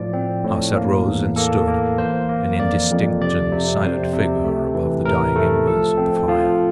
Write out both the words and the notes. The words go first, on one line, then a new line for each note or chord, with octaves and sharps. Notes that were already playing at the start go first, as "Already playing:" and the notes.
Arsat rose and stood, an indistinct and silent figure above the dying embers of the fire.
Already playing: A2 F3 D5
C4
A2
A#3
E2
A#3 A4
A#3
E3 C5
A#3
F2 D5
F2
C3 D5
C3
C3 C5
C3
A3
E3
A2 A#4
A3 A4
F3 A4
C4
F3 F4